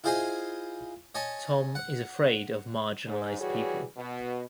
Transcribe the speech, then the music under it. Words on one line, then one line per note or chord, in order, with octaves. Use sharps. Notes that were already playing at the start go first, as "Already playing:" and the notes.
Tom is afraid of marginalized people.
E4 F4 G#4 C5 D#5 G#5
C#5 D#5 G#5 A5
F#5
G#2
E3 G3 F#4 G#4 C#5
B2